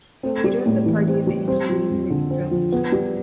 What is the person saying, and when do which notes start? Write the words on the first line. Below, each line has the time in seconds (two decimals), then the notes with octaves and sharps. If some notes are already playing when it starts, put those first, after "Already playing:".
The leader of the party is Angele Mitreski.
0.23 C4
0.44 G3
0.66 A2
0.86 E3
1.07 C4
1.27 G3
1.48 C4
1.69 F3
1.90 F2
2.10 D3
2.30 C4
2.51 F3
2.72 B3
2.92 G3